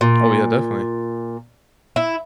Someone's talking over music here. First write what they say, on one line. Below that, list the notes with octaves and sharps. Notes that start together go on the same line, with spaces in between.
Oh yeah, definitely.
A#2
E4